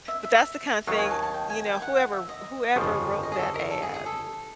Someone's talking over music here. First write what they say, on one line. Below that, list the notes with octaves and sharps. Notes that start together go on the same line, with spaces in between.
but that's the kinda thing, y you know, whoever whoever wrote that ad,
E5
E5
D#2 D#3 F#3 F5
G#5
A5
A5
G5
G#5
G5
F#5
E5
D#5
G1 F2 C#3 F3
D#5
G#4
A4
A#4
A4
G#4
G#4
A4